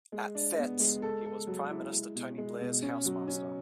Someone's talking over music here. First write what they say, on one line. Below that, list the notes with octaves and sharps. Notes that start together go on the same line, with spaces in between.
At Fettes, he was Prime Minister Tony Blair's housemaster.
G#3
D4
B3
G#3
A4
A4
F#3
E4
G#3
B2
G#3
B2
C#4
F#3
C#4